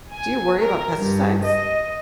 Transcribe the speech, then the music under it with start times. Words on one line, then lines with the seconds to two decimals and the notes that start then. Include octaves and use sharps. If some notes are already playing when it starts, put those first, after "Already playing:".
Do you worry about pesticides?
0.12 G#5
0.61 A#4
0.98 G2
1.45 D#5